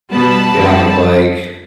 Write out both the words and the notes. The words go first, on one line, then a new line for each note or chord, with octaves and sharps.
get on the bike.
B2 G3 B3 A5 B5
F#2 D3 G3 C4